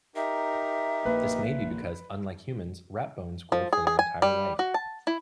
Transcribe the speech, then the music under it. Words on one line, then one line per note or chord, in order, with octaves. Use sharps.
This may be because unlike humans, rat bones grow for their entire life.
D#4 G4 A#4 E5
A#1 A#3 B4
F3
G#4
G#4
G#5
G3
F#4
A5
E4